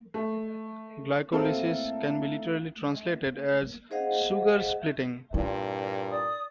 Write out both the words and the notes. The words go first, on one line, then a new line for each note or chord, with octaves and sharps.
Glycolysis can be literally translated as "sugar splitting".
A3
A2 A#3 C4 A4 F5
G#4 C5 D#5 F5 F#5
G2 A#2 E4
D5 D#6